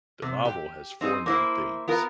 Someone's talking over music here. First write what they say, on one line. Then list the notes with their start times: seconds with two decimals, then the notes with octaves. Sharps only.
The novel has four main themes.
0.22 C3
0.45 G4
1.01 C4 D#4 G#4
1.26 A#3 E4 C5
1.88 B3 F4 A#4